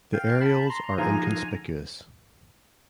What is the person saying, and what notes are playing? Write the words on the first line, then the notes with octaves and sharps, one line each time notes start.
The areoles are inconspicuous.
F5 G5
A5 B5
A#5 C6
D3 F3 A#3 D#4 G#4 G#5 A#5